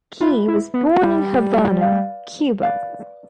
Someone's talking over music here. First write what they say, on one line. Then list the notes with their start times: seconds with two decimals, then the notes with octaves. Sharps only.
Gee was born in Havana, Cuba.
0.21 F4 B4 E5 B5
0.48 E4
0.74 B3
1.01 G3 B4 E5 B5
1.81 B4 D5 F5
2.63 B4 D5 F5